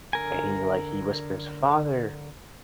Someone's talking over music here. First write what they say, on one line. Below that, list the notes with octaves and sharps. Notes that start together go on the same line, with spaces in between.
and he, like, he whispers, "Father,"
D3 A#4 G#5